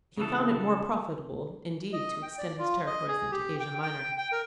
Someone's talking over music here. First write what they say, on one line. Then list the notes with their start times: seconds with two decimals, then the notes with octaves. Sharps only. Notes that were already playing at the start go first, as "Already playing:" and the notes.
He found it more profitable, indeed, to extend his territories into Asia Minor.
0.17 C#3 E3 A4
1.93 D#5
2.23 G5
2.38 D5
2.59 F4
2.87 D#5
3.08 G#4
3.31 G4
3.60 G5
3.82 G5
4.18 G5
4.32 A#4